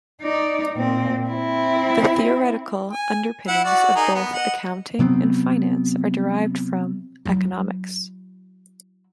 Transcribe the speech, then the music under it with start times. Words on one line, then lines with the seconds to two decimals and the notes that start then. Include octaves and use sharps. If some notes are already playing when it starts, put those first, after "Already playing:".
The theoretical underpinnings of both accounting and finance are derived from economics.
0.22 D#4 D5
0.74 A#2 C4
1.28 C4 E4
2.92 G#5
3.48 E4 F#5
3.65 F#4 D5 F#5
3.96 D#4 G#4 A#4
4.15 B3
4.34 D#5 F#5
4.99 C3 F#3 B3 C4
7.25 F#3 E4